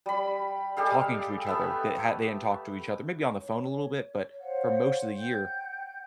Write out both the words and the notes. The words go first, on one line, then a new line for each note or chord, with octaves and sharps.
talking to each other that ha they didn't talk to each other maybe on the phone a little bit, but for most of the year
G3 B5
G#3 G4 A4 F5
A3 B3 E5
C#5
C5 C#5 F5 F#5
F#5 G5 G6